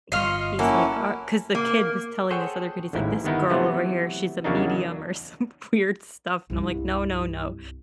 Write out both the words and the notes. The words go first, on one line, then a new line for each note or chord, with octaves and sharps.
H he's like "Or" 'cause the kid was telling this other kid, he's like, "This girl over here, she's a medium," or some weird stuff, and I'm like, "No, no, no,"
G1 G3 F4 D#5 C#6 F6 C7
A#3 C#4 E4 F#4 A4
A#3
G#4 A4 C5 C#5 F#5 G5
A1 D#2 G#2 E4
G1 D#3 B3 D#4 E4
C3 E3 F#3 A3 B3
E2 C#3 F#3 A#3 D4 D#4
C2 G2